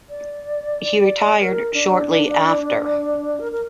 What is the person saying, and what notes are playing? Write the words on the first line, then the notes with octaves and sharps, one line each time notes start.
He retired shortly after.
D5
A#4
D4
A#4
A#4